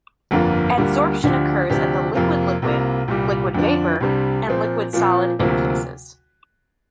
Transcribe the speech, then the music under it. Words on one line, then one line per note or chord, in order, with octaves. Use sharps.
Adsorption occurs at the liquid-liquid, liquid-vapor, and liquid-solid interfaces.
G1 F2 D3 A#3 F4
D2 D3 G3 A#3 F4
D2 D3 F3 D4 G4
D2 C3 F3 D4 G4
F2 C3 A#3 F4
C2 C3 A#3 F4
C2 A#2 G3
F2 D3 F3 D4
C2 C3 G3 D4
A#2 F3 C4
A#2 F3 C4
D2 C3 F3 A#3